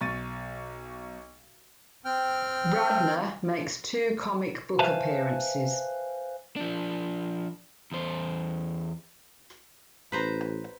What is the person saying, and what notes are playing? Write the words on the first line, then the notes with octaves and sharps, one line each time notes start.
Radner makes two comic book appearances.
B1 C#6 A6 D#7
C4 G5 F6
B4 C5 E5 F5 G#5 A5
F3 D4
E2 C5
A1 B4 C5 A#5